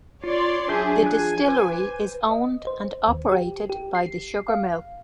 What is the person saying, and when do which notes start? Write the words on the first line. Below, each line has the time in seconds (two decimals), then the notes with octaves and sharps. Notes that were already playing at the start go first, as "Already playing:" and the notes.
The distillery is owned and operated by the sugar mill.
0.24 F4 C#5 D5 C6
0.69 F#3 D4 G#4 E5 G6
1.03 F3 G#4 G#5 F#6
1.48 B4 C5 D6
2.31 D#5
2.67 C5
3.08 D#2
3.32 G4
3.69 G4
3.95 C7
4.48 F5